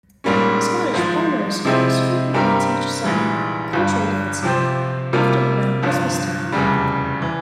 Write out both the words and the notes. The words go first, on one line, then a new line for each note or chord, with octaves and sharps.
Scottish primary schools frequently teach some "country dancing", often around Christmas time.
A#1 G#2 G3 A#3 C#4
G#1 G#2 F3
C3 F3 G#3 C4 E4
G2 G3 C4 G4 A#4
A#1 G#2 E3 G3
G1 G2 G3
C3 F3 C4 G4 C5
C3 G3 A#3 F4
G1 G2 F3
F1 E2 C#3 G3
E3